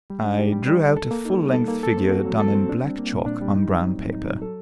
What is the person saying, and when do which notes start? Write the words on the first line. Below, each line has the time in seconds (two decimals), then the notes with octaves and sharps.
I drew out a full-length figure done in black chalk on brown paper.
0.10 G3
0.25 D4
0.39 G4
0.53 G3
0.67 G3
0.82 D4
0.97 A4
1.11 A#3
1.25 D#4
1.40 G3
1.54 A4
1.68 A#3
1.83 A4
1.97 C4
2.11 F#4
2.25 F#3
2.40 A4
2.55 C4
2.69 D4
2.84 G3
2.98 A#3
3.13 A#2
3.26 D4
3.42 G3
3.56 D#4
3.69 F#3
3.84 C4
3.99 A2
4.14 D#4
4.28 F#3
4.42 A4